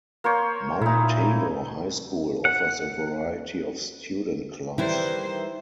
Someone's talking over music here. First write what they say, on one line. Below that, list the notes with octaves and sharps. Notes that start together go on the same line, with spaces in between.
Mount Tabor High School offers a variety of student clubs.
A#3 C5 C#5
A#2 D#4 E4
F#5
D#3 E3 G3 E4 C5